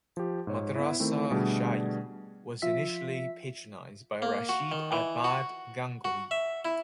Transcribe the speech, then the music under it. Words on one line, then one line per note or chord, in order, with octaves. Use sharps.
Madrasa Shahi was initially patronized by Rashid Ahmad Gangohi.
F3 G4
G#2 C#5
B3 E4
D#3 A3 C4 E4
B2 D3 G3 A3 D4 G#4
F3 F4 E5 B6
A#3
F#4
D#3
E3
F#4
F#4
E5
E4